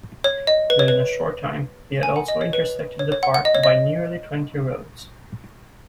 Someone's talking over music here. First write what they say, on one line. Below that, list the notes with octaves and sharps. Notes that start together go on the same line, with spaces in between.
Within a short time, he had also intersected the park by nearly twenty roads.
C#5
D#5
B4
C#5
B4
G#5
F#5
D#5
C#5
B4
C#5
C#5
F#5
F#5
D#5
C#5
D#5